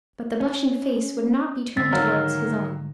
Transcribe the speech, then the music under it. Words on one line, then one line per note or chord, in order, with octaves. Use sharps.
But the blushing face would not be turned towards his own.
C#4
G#2 D3 E6 A6 B6
D#3 F#3 F5 F6